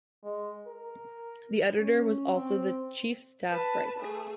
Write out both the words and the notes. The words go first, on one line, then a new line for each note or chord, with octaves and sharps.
The editor was also the chief staff writer.
G#3
A#4
C#4
C4
B4 A5
A3 G#4